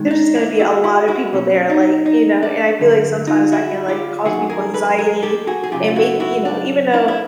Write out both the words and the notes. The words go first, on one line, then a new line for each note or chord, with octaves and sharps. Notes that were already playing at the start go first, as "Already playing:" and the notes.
there's just gonna to be a lot of people there, like, you know, and I feel like sometimes I can, like, cause people anxiety, and make the you know, even though
Already playing: G#2 D#3 G#3
D#4
D4 E4
E4 F#4
E4 F#4
E4 F#4
B2 F#3 A#3 C#4
D#4
D#4
D4
G2 D3 F#3
D#4 F4
E4 F#4
F4 G4
F#2 D#3 F#3 A#3 D4 F#4 G#4
G#4 A#4
A4 B4
G#4 A#4
G4 A4
F#4 G#4
G#4
F#2 C#3 F#3 F4 G4
F4
E4 F#4
E4 F#4
D4
D4 E4
E4